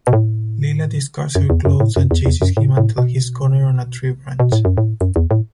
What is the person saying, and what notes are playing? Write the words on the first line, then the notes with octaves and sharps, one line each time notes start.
Lila discards her clothes and chases him until he's cornered on a tree branch.
B2
A2
F#2
E2
F#2
A2
F#2
E2
E2
F#2
A2
A2
B2
B2
A2
F#2
A2
F#2
E2
A2